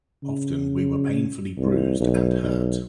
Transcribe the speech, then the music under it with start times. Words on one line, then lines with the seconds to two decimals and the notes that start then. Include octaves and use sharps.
Often we were painfully bruised and hurt.
0.23 C#3
1.57 C2
2.00 B1
2.43 B1